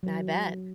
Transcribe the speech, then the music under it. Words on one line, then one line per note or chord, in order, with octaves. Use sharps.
I bet.
F#3